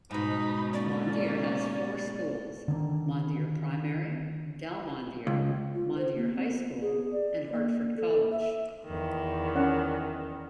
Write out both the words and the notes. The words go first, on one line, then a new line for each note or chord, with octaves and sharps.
Mondeor has four schools; Mondeor Primary, Dalmondeor, Mondeor High School and Hartford College.
G#2 B2 D#4 B5
A#3 C#4 D5
D3 D#3 B3 D4
C#2
F4
C5
A#3
C4
B3
G#4
D5
A#3
A4
E5
E2 D#3
C#4 D5 F#5